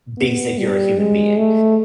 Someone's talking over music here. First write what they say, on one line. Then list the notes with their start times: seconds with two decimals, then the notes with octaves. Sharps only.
basic you're a human being,
0.18 B3
0.58 G3
0.97 G#3
1.38 A3